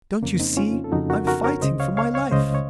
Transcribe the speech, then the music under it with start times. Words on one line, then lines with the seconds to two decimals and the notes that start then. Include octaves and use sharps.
Don't you see I'm fighting for my life?
0.22 F2 C#3 A#3 C#4
0.40 C4 D#4
0.57 C#4 F4
0.84 A4
0.92 F2 C#3 D#4 F#4
1.10 F#4 A#4
1.27 F#4 A#4
1.44 A#4 C#5
1.62 C#2 C#3 C5 D#5
1.80 C#5 F5
1.97 C#5 F5
2.14 C#5 F5
2.31 C#2 C#3 C5 D#5
2.55 C#5